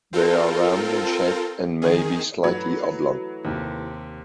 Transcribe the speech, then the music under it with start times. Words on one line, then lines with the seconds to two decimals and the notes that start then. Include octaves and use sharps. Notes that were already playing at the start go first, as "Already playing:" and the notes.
They are round in shape and may be slightly oblong.
0.13 C4 F4 A4 A#4
1.82 D#3 G#4
2.44 E3 F#3 A3 E4 B5 G#6
3.45 D#2 C3